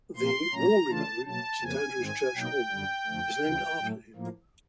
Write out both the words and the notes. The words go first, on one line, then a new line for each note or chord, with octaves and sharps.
The "Waring Room", Saint Andrew's church hall, is named after him.
A#2 F3 A#3 C6
A#2 F#3 A#3 C#4 A#5
C#3 E3 A3 D4 F4 A5
B2 F#3 A#3 A5
F2 C#3 F3 A#3 G#5
G#2 D#3 G#3 C4
B2 F#3 A#3 D#4 G5
F#2 D3 G3
F2 D3 F3 A3
D2 C#3 E3
A2 F#3 A3
A2 F3 A#3